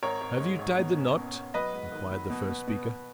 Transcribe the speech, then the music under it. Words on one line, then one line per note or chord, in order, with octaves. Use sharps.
"Have you tied the knot?" inquired the first speaker.
G#1 A#4 C#5
G#1
G#2
G#1
B2
C#4
B2
B2
F#3 B4 D#5
G#2
D#3
F#3
B2
B2
B2
B2